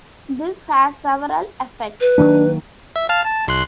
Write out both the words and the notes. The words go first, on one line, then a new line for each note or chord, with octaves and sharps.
This has several effects.
B4
D#3 F#3 A#3 D4
E5
F5 A5 F6
A5
C2 C6 F#6